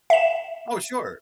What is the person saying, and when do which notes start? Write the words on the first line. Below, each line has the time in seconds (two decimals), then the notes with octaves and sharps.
Oh, sure.
0.10 E5 E7